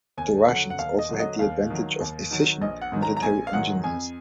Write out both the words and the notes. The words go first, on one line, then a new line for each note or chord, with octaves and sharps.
The Russians also had the advantage of efficient military engineers.
D#2 G#5
D3 F#3 F#5
F#5
D#2 F5
D#5
D3 F#3
D#5
D#2 F5
D#3 F#3
D#2
D#3 F#3
A#1 D#5
F#5
G#2 D#3 F#3
A#5
A#5
A#1 G#5
F5
G#2 D#3 F#3 F#5
F2 G#5